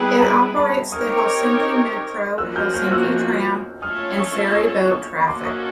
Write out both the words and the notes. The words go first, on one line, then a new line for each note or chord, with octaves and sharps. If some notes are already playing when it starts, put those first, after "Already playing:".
It operates the Helsinki metro, Helsinki tram and ferry boat traffic.
Already playing: G3 B3 E4 G#4 B4 G5 A5
G#5 A#5
A5 B5
C4 D#4 G4 A#4 C#5 D#6 F6
F3 A#3 C#4 F#4 E6 F#6
F6 G6
F6 G6
E6 F#6
A3 C#4 F4 A4 C#5 D#6 F6
C#6 D#6
C#6 D#6
C#6 D#6
A#3 C#4 F#4 A4 C6 D6
C#6 D#6